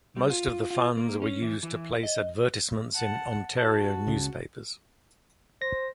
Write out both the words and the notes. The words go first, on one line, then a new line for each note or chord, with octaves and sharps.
Most of the funds were used to place advertisements in Ontario newspapers.
G3
F4
F4
A#3
C#4
E3
E3
D#5
F#5 A5
F#4 A5
C#2 C#3
C5 A#6